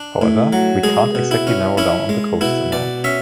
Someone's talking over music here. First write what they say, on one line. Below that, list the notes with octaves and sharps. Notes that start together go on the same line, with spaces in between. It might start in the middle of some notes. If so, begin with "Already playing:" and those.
However, we can’t exactly narrow down on the costs’ amount.
Already playing: D4
A2
F#3
G#3 G#4
B2
E4
C#4
C#4 E4
G#3
B2 E4
B2 D5
C#4 E5